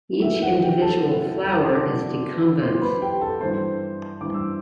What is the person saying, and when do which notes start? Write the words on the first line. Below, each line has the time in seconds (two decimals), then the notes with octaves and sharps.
Each individual flower is decumbent.
0.22 F#2 E3 E5
0.42 F#5
0.62 G4 G5
0.82 A4 A5
1.02 F#2 E3
1.42 E6
1.53 D6
1.63 C6
1.74 D5 D6
1.82 F#2 E3
2.62 F#2 E3 C5 C6
2.81 B4 B5
3.01 G4 G5
3.21 A4 A5
3.41 G2 E3 C5 C6
4.21 G2 E3 D6
4.34 E6